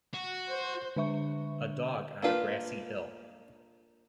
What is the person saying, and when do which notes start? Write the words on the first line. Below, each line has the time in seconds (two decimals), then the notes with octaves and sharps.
A dog on a grassy hill.
0.14 F#4
0.48 C5
0.96 D3 D4 E5 C#6
2.22 A#3 D4 F4 B4